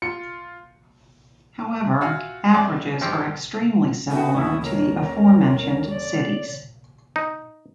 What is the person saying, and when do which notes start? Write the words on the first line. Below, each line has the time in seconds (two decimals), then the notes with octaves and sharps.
However, averages are extremely similar to the aforementioned cities.
0.02 F4 C#7
2.01 F4 F#4 E5 F5 G#5
2.53 A#1 F2 D5 E5
3.01 G2 F3 G#3 G4 G5 E6
4.11 B3 F#4 A4 E5 G5
4.34 D#1 A1 C#4 E4 D#6
4.63 D3 A#4 C#5
5.88 D5
7.16 D#4